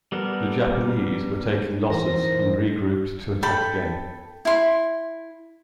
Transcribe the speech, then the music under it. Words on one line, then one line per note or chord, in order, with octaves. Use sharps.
The Japanese were taking losses and regrouped to attack again.
G3 B3 A4 A#4
E3 D#4 A#4 C5 A#6
A4 G5 B5
E4 C6